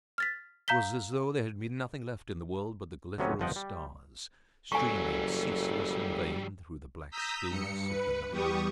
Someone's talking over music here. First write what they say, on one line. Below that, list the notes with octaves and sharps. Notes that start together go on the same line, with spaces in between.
It was as though there had been nothing left in the world but the glitter of stars streaming, ceaseless and vain, through the black stillness of the night.
F6 A6 B6
F5 A#5 G6 B6 G7
D2 C3 F#3 B3 C#4
G1 F2 F3 D#5 F#5 G5
G3
F#1 F#3 G3 A4 G#5 C#6
A#5 D#6 E6 G6 B6
G2 C#7
B4
E2 G3 G4 C#6 D#6